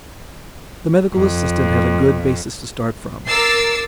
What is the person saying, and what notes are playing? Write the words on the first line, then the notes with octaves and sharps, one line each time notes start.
The medical assistant had a good basis to start from.
F2
A#4 D6 E6 A6 C7